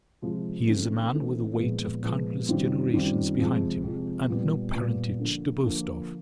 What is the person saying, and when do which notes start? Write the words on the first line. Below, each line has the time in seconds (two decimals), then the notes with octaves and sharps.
He is a man with the weight of countless generations behind him and no parentage to boast of. . . .
0.22 C3 F3 G#3
0.67 C#3 E3 A3 C4 D#4
1.13 C#3 E3 A3 C4 D#4
1.57 A#2 F3 G#3 B3
2.03 A#2 F3 G#3 B3
2.48 F#2 D#3 G3 C4 F4
2.93 F#2 D#3 G3 C4 F4
3.39 F2 C3 F3 G#3
3.84 F2 C3 F3 G#3
4.29 A#2 G3 B3
4.74 A#2 G3 B3
5.19 D3 F3 A#3
5.64 D3 F3 A#3